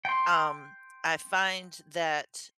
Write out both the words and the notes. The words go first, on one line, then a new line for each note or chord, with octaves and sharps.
um, I find that
G5 C6